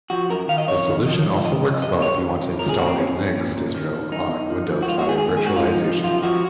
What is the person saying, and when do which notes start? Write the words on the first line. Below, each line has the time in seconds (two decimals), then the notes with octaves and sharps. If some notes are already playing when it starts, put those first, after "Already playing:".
This solution also works well if you want to install a Linux distro on Windows via virtualization.
0.10 F3 F#4
0.29 F#2 A#4
0.48 D#3 F5
0.58 D#5
0.68 F2 C#5
0.87 D#3
1.06 F3 D#5
1.26 G#2
1.45 D#3 D#5
1.63 F2
1.82 F#2 D#5
2.01 F#2 C#5
2.21 D#3
2.40 F#2
2.59 F3 A#4
2.69 G#4
2.78 A#2 F#4
2.88 C4
2.97 F2 C#4
3.16 F2
3.36 A#2
3.55 A#2
3.75 D#3
3.93 D#3
4.12 F#2 D#4
4.32 F#2
4.50 F3
4.70 F3
4.82 F#4
4.88 G#2 F4
4.99 F#4
5.08 D#3 G#4
5.18 G#4
5.28 G#2
5.37 G#4
5.46 G#2 F#4
5.56 F4
5.65 F3 D#4
5.85 F3
6.04 F#2 F4
6.23 F3 F#4